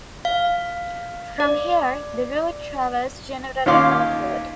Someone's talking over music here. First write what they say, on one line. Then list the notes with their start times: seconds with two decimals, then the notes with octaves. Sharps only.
From here the route travels generally northward.
0.25 F5
1.40 D5
3.66 D#2 C#4 F4 F5 C6 D6